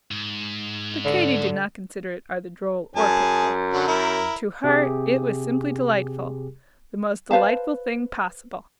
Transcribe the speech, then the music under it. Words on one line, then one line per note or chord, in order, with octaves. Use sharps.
But Katy did not consider it either droll or pitiful; to her it was simply delightful--the most delightful thing possible.
G#2
D3
F#2 G#4 G#5 A5
D3 F#3
E4 A#4
C3 G4 G#4
B4 C5 F5 A5